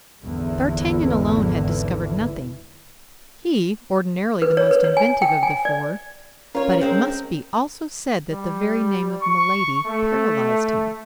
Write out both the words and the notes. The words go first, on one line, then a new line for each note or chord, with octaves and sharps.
D'Artagnan alone had discovered nothing--he, ordinarily the most inventive of the four; but it must be also said that the very name of Milady paralyzed him.
G#1 E2 G#2 D3 E3
B4
C#5
B4
C#5
G#5
G5
G#5
D5
C#4 F4 A#4 C#5
G#3 C4
G3
C#6
A3